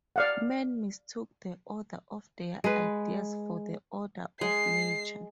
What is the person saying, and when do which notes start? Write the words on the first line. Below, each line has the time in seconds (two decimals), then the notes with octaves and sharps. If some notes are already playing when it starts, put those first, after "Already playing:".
Men mistook the order of their ideas for the order of nature.
0.16 D5 F5 F#5
2.64 G#3 B4
4.41 G#3 C7